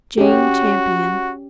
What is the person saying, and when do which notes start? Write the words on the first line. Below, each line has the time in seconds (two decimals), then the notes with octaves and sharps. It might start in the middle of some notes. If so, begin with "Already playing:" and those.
Jane Champion.
0.18 C#4 F#4 G4